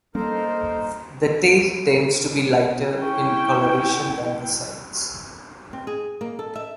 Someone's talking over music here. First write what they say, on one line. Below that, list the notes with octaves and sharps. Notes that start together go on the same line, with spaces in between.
The tail tends to be lighter in coloration than the sides.
G3 A#3 C#4 D#4 A4 A#4 C5
C#4 E4 G5
C4
G#4
A#3
A4
E5